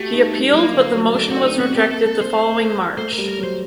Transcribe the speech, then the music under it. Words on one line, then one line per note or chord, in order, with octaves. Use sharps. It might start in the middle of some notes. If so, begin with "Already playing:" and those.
He appealed, but the motion was rejected the following March.
Already playing: A3 F#4 G4
D#4
G3
G3
F#3 A#3
D3
F#3
A3 D4
F#4
D4
D#4
C4
F#4
C4
A#3 G4
A4
A4
C5
A3 C5
G3 A#4
A#4
F#3
C5